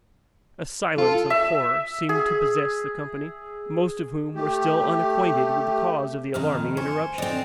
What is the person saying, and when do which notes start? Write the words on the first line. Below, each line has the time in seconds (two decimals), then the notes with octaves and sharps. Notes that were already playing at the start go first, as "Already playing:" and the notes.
A silence of horror seemed to possess the company, most of whom were still unacquainted with the cause of the alarming interruption.
0.98 F4 A4
1.30 E5
2.09 G#4
4.35 A3 G4
6.34 F2 A2 D#3 F6
6.77 C5 G#5 C#6
7.18 D3 C4 C5 D5 D#5